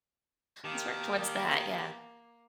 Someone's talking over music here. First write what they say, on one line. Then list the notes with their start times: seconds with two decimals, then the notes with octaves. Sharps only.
Let's work towards that. Yeah.
0.64 D#3 A#3 G4 A5 D6